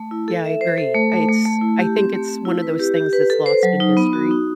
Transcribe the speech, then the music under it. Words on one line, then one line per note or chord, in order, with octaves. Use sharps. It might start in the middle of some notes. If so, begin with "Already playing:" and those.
Yeah, I agree. I it's I think it's one of those things that's lost in history,
Already playing: A3
E4
A4
E5
C5
A4
A3
A3
A3
A3
E4
G4
C4
A3
C4
E4
B4
G4
G4
B4
A4
C5
F#3
D#4
B3
F#4
D#4